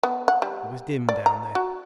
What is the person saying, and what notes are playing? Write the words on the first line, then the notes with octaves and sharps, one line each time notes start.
It was dim down there.
B3
F#5
G3
D5
A#5
F#4